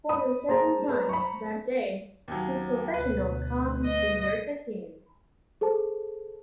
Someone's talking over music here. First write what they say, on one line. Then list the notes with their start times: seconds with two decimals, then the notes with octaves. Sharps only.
For the second time that day his professional calm deserted him.
0.09 B5 D#6
0.49 A#3 G#4 C5 A5 A#5
0.89 B4
1.09 B5 C#6
2.28 D#2 F#3
2.94 D2 B2 B4
3.85 D#5
5.61 G#4 A4 C5 A5